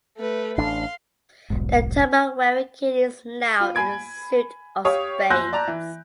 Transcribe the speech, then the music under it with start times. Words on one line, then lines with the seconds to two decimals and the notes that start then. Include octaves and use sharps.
The turban wearing king is now in the suit of spades.
0.17 A3 B4
0.58 A1 D4 F5 C6
1.50 D#1 B1 G#2
3.61 F4
3.75 G#5 B5 G#6 D7
4.85 G4 C#5 F5 D#6
5.30 G#5 C6 E6 F#6 G6 A#6
5.53 D5 A5 A#5
5.68 E3